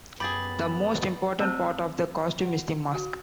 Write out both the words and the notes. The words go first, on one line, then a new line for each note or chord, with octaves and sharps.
The most important part of the costume is the mask.
F#2 B3 G4 G#4 B5 A6
F#3 A3 C4 C5 A5 E6
F#5
F#4